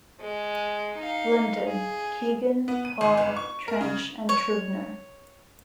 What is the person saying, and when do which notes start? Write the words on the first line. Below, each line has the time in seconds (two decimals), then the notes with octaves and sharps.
London: Kegan, Paul, Trench and Trubner.
0.21 G#3
0.98 D#4 F5
1.64 G#4
2.68 B3
2.85 D#7
3.01 G#1
3.17 G1
3.36 C#6
3.68 A#4
3.81 C#3
4.29 C#5